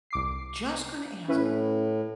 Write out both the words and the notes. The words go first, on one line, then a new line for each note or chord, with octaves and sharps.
Just gonna ask.
C2 D6 C7
A2 C#4 E4 B4